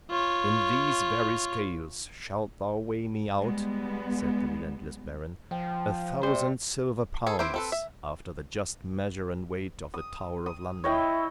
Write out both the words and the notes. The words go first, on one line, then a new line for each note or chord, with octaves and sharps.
"In these very scales shalt thou weigh me out," said the relentless Baron, "a thousand silver pounds, after the just measure and weight of the Tower of London."
F4 C#5
G3 G#3 B3
F3 G5
C3 G3 C5
G#4 A4
C4 E4 G4 B4 C5
C4 A4 B4
E5
D#6
D#6
E4 C#5 D#5 G5